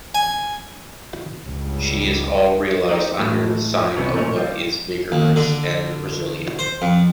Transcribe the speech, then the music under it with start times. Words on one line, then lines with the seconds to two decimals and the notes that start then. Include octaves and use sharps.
She is all realized under the sign of what is vigorous and resilient.
0.15 G#5
1.43 C#2 G2
2.89 D#4 G4 A#4 C5 D5 D#5
3.19 A2 E3 G#3 A3
3.96 C2 E3 B3 C#4 F#4 A#5
4.15 A#2 A3 C#4 A#4 C#5
4.36 G3 F4
5.12 D#2
5.36 D3
6.59 C5
6.82 F2